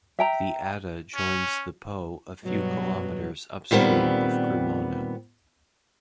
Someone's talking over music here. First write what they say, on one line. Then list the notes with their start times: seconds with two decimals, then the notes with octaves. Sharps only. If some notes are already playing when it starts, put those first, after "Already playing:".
The Adda joins the Po a few kilometres upstream of Cremona.
0.19 E5 G5 A#5
1.15 C#4
2.44 G2 B2 F#3
3.71 A#2 D#3 G3 B3 C4